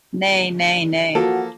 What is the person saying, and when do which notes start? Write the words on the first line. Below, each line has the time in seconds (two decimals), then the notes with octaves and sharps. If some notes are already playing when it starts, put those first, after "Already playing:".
Ne, ne, ne.
1.15 F3 A#3 F#4 A4